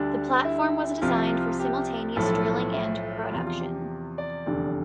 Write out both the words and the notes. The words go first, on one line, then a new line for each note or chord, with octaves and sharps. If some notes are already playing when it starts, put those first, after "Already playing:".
The platform was designed for simultaneous drilling and production.
Already playing: D2 D3 G3 D4
E4
C2 C3 F3 F4
G4
B1 A2 F3 A4
E4
E2 C3 F3 F4
F4
G4
D5
F1 E2 D3 G3